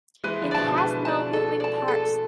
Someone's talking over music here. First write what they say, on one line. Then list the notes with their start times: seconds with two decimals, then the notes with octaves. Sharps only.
It has no moving parts.
0.24 E3 G#3 B4
0.42 D3 F3
0.51 D5 A5
0.60 B2 D3
0.78 B4
1.05 D5 A5
1.33 A4
1.60 D5 A5
1.88 A4